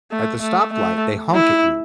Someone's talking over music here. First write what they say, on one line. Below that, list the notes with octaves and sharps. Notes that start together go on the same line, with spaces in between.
at the stoplight they honk at you.
A3
A3
A3
E4